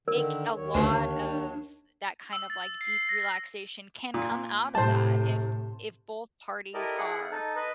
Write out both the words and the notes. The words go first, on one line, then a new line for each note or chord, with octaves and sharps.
it c a lot of that kind of, like, deep relaxation can come out of that if if both parties are
D3 D#3 A#4
D#2 D#3 C#5
D2 D4
E6
A6
C7
A#6
A#2
A2 C3 C5 A5
E4 G4 A4 A#4 D5 D#5
E4 G#4 F#5
D#4 A4
B4 D#5